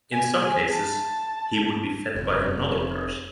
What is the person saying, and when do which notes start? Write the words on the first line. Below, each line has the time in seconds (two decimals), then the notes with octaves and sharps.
In some cases he would be fed by another person.
0.13 G#5
0.71 A5
2.15 F1